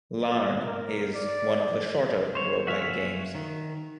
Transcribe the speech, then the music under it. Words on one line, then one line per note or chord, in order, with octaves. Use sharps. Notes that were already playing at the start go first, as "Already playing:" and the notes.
"Larn" is one of the shorter roguelike games.
D5
A#4
D5
C5 C#5
F#4 E5 F5 G#5
D#3